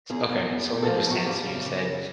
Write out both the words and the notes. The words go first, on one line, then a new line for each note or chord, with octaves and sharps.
S okay, so let me understand, so you said
E2 G#4
E2
E2
E2 G4
A4
F3
G#4
E2 F#4
G3 G4
C#3
C#3
G3